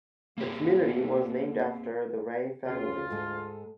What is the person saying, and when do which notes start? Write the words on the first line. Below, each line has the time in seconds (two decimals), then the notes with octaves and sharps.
The community was named after the Ray family.
0.38 A#3 C4 G4 G#4
2.66 D2 C#3 F4
3.10 G#2 G#3 A4